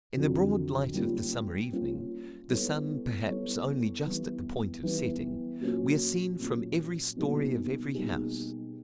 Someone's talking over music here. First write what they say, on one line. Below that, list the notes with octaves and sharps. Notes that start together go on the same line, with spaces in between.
In the broad light of the summer evening, the sun, perhaps, only just at the point of setting, we are seen from every story of every house.
F2 D3 F#3
G3 A#3 C#4 F4
G3 A#3 C#4 F4
G3 B3 E4 A4 C#5
G3 B3 E4 A4 C#5
E3 G3 B3
E3 G3 B3
A#2 F#3 A#3 C#4
A#2 F#3 A#3 C#4
B2 G3 A#3 D#4 G#4
B2 G3 A#3 D#4 G#4